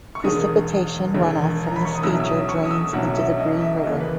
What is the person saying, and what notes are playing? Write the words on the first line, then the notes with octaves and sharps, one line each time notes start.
Precipitation runoff from this feature drains into the Green River.
C#6
E1 D#2 D#3 G#3 D#6
E1 D#2 D#3 G#3
A#5
B5
C#6
D#6
B1 B2 F#3 C#4 E4 E6
E6
D#6
C#6
D#6
E6
B1 B2 F#3 C#4 E4 F#5
E5
D#5
E5
D#2 C#3 E3 A#3 D#5
B4